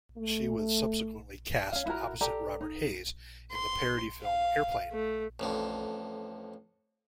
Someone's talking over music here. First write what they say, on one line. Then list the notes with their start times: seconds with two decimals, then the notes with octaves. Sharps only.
She was subsequently cast opposite Robert Hays in the parody film, "Airplane!".
0.17 A3
1.72 C#4 F5
1.86 E4 F#4 A#4
2.21 G4 A4 D5 A#5
2.61 D#4
3.52 C6
4.21 F5
4.91 A3
5.40 A1 F2 D3